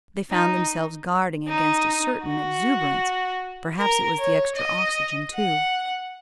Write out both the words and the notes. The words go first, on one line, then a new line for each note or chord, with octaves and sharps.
They found themselves guarding against a certain exuberance; perhaps it was the extra oxygen, too.
D#4
D#4
F#4
A#4
C#5
D#5
F#5